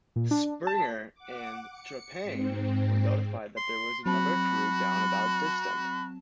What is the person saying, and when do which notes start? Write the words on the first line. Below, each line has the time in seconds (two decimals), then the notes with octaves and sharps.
"Springer" and "Trepang" were notified that there was another crew down about distant.
0.16 A#2
0.31 D4
0.67 A5
1.14 F#5 D6
1.67 C#7
2.23 G#2 C4
3.57 C6
4.06 F#3 C4 F#4 A5 B5